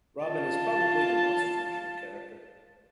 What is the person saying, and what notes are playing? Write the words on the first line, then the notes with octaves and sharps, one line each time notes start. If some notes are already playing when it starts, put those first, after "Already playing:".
Robyn is the probably the most functional character.
F4 A5